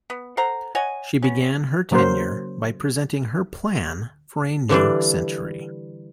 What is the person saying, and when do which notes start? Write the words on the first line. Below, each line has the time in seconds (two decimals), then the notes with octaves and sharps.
She began her tenure by presenting her Plan for a New Century.
0.10 B3
0.37 A4 C5 F#5 A#5
0.75 C#5 D#5 F#5 G#5
1.23 B3 C#4
1.91 C#3 F#3 A#3 A#4 C5
4.69 D3 E3 G3 D4